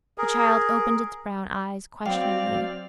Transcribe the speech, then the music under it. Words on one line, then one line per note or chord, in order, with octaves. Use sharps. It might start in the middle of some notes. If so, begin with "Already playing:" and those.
The child opened its brown eyes questioningly.
G#4 A#4
F#3 C4 D5 F5 G5